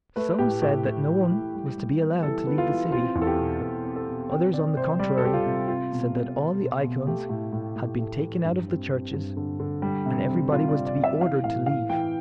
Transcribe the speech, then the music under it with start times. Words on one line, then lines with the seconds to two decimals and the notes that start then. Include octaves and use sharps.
Some said that no one was to be allowed to leave the city, others on the contrary said that all the icons had been taken out of the churches and everybody was to be ordered to leave.
0.16 A3 B4
0.39 A2 G4
0.62 A2 G4
0.85 A2
1.08 E3
1.31 A2
1.55 G3
1.78 G3
2.00 B3
2.23 E3 A4
2.47 B3
2.58 F4
2.70 E3
2.92 C4 F4
3.15 E2
3.22 A4
3.27 G4
3.38 B2
3.61 E2 A4
3.85 C4
3.96 A4
4.07 B2
4.31 C4 G5
4.53 C4 D5
4.76 C3 C5
4.99 G3 D5
5.18 A4
5.23 G3 G4
5.33 F4
5.46 C3
5.68 C4 F4
5.92 B2
6.15 B2
6.38 C4
6.60 B2
6.84 B2
7.07 A3 G4
7.29 A2
7.53 A2
7.76 A2
7.99 A3
8.21 E3
8.45 G2
8.68 C4
8.91 C4
9.13 G2
9.37 D3
9.60 D3
9.82 G3
10.06 C3
10.28 C4
10.52 C3 F4
10.68 D5
10.74 C3
10.86 D5
10.98 C3
11.04 E5
11.21 E3 F5
11.44 A2 F5
11.66 E3 F5
11.89 E3 G5